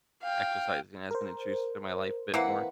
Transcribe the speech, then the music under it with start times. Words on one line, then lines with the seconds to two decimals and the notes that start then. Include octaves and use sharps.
Exercising has been introduced to my life a bit more
0.22 F5 G5
1.11 A#4 C5
2.34 E3 A#3 C4 B4 F#5